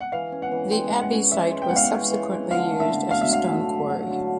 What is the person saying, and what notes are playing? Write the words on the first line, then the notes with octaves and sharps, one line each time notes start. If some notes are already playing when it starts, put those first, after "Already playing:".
The abbey site was subsequently used as a stone quarry.
F#5
E3 F5
C#4
F#5
E3
G#3 G5
E3
F#5
C#4
E3 E5
G#3
G5
E3 F#5
F5
F#5
C#4
E3
G#3
D3 F5
A3
E5
D3
F#3 F5
E5
D3 F5
A3
D3
F#3
D3